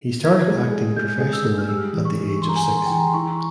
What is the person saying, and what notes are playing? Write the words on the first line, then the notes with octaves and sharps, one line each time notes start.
He started acting professionally at the age of six.
E4 G#6
G#3
G#4
G#3 G6
G#4
E6
G#3
F6
G3 E6
E3
C#6
G3
E3 C6
A#5
G#5
A#5
E3
C6
G5
E3 G#5
A#5
C6
E4 C#6